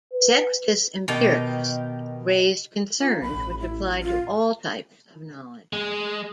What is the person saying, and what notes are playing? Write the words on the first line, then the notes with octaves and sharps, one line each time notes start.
Sextus Empiricus raised concerns which applied to all types of knowledge.
B4
B2 D#3 D#4 G4
A#3 F4
B1 B5
A1
E4
F4
G#3